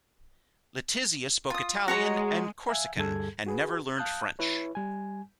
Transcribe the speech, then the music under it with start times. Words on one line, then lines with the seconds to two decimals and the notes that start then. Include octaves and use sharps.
Letizia spoke Italian and Corsican, and never learned French.
1.50 F4 D#6
1.88 G#3 F#4 C#5 A#5
2.69 E5 F5 G#5
2.97 D2 G2 G3 G#4 A4 G#6
3.46 F#4 G#4 B4
3.97 F5 A5 D#6 F#6 G6
4.39 E4 B4 C#5
4.75 G3 G#5